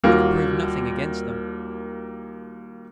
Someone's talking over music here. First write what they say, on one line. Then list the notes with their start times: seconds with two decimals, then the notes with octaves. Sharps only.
We could prove nothing against them.
0.04 D#2 G3 A#3 F4 F#4